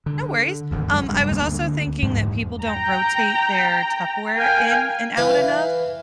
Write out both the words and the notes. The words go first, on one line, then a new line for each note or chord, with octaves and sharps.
No worries. Um, I was also thinking that people don't rotate their Tupperware in and out enough.
D3
D#1 G#1 D2
F#2 G#3
F1 G2 G#3
D2 D3 A#3
E2 G#2
G5 A#5
A#4 F5 G5 G#5
E3 F5 B5